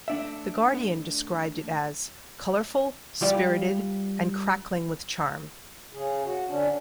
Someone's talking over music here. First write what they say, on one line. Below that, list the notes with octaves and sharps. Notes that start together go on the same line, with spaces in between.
The Guardian described it as, 'Colourful, spirited and crackling with charm.
A3 D4 E5
G3 F4 G4 D5 F5
C#3 G#4
F#4
D3 C#4 D4